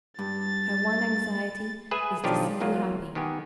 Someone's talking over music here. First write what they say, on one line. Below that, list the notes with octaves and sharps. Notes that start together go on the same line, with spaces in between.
Her one anxiety is to see you happy.
G2 A6
G#4 B4 E5 G#5
B1 D#3 F3 D4 F4 G4
E2 F#3 A#3 F4
D#3 B3 G4 G#5